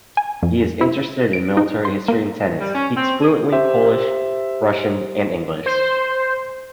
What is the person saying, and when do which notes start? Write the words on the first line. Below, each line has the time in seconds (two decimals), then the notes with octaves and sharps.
He is interested in military history and tennis; speaks fluently Polish, Russian and English.
0.17 G#5
0.43 F2
0.81 E4
1.33 D7
1.57 D#4
1.85 C6
2.08 A#3
2.60 G3
2.75 C#4
2.96 C4
3.22 G#4
3.53 G4 C5 E5
5.66 C5